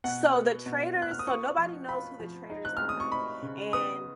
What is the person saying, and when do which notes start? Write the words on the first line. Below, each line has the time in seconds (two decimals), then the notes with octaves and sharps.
So the traitors so nobody knows who the traitors are, and
0.04 B2 F#5
0.35 B3
0.66 B2
0.97 B2
1.02 F#6
1.11 F6
1.19 D#6
1.27 F4 C#6
1.58 F3
1.88 F4 B5
2.20 F3
2.50 D#4
2.65 F#6
2.77 G#3 F6
2.89 D#6
3.00 C#6
3.12 D#4 B5
3.42 C#3
3.73 B3 D#6